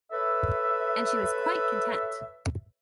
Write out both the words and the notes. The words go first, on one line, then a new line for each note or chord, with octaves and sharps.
And she was quite content.
A4 B4 C#5 E5